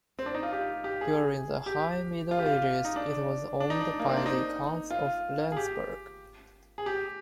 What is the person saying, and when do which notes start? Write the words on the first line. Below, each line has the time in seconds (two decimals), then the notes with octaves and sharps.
During the High Middle Ages it was owned by the Counts of Lenzburg.
0.19 C4
0.26 D4
0.34 D#4
0.43 F4
0.52 G4
0.84 G4
1.01 G#4
1.66 G4
2.31 F4
2.39 G4
2.46 F4
2.85 D#4
2.96 D4
3.60 D4
3.70 D#4
3.81 D4
4.00 A#3
4.09 C4
4.17 D4
4.26 D#4
4.91 F4
5.52 G#4
5.57 G4
6.78 G#4
6.86 G4